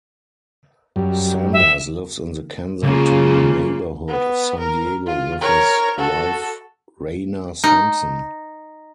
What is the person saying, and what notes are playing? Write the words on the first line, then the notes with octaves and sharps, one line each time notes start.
Sanders lives in the Kensington neighborhood of San Diego with his wife Rana Sampson.
F#2 G3
E5
C#2 C#3 A#3 F4
B3
A#4
F4
A#4 C#5
F#4 A4
D#4